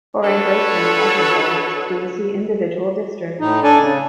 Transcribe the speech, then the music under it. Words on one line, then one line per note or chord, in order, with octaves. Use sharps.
For a breakdown of results, please see individual districts.
D4 F#4 A4 B4 C#5
A2 D#4
D4 A4 D5 G#5
C#3